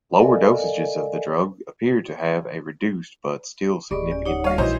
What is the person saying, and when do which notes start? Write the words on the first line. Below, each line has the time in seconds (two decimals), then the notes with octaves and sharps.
Lower dosages of the drug appear to have a reduced but still significant risk.
0.19 A4 A#4 D5 D#5 F5 G#5
3.91 D1 G4 G#4 D5 D#5 B5 C#6
4.11 C#4 D5
4.25 D#4 G4 C#5 F#5
4.44 G3 D#4 C#5 D#5 F5
4.58 A#1 E3 D#4 E4 F#4 C5 C#5